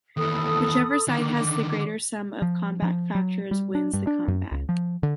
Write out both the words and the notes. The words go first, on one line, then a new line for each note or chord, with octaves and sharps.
Whichever side has the greater sum of combat factors wins the combat.
D#2 E3 A4 B5 D#6
D3 D#3 D6
F3
F3
F#3
G3
D4
G2
D4
F#2
C#2
F3
D3